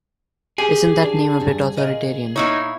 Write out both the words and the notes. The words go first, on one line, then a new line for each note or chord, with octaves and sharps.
Isn’t that name a bit authoritarian?
C#4 G4 G#4
D4
E2 G2 G3
A#2 A#4 D#5
A#3 D#4 E4 C#5